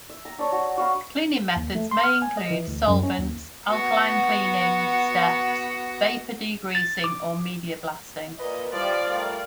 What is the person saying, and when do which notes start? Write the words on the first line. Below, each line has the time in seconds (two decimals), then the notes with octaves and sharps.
Cleaning methods may include solvents, alkaline cleaning steps, vapor degreasing, or media blasting.
0.10 E5
0.25 A#5
0.39 D4 C#5
0.52 F#4
0.77 F#4 F5 B5
1.56 D#2
1.75 A3
1.91 C6
2.03 F6
2.22 G#5
2.37 D#5
2.50 E3
2.67 D2
2.87 F#2
3.03 C#4
3.18 D#2
3.67 B3 F#4
6.75 A6
7.04 D6
8.39 A#2 B4 D#5
8.72 E3 F3 G3 F4 D5 F5
9.08 G3 A3 A#4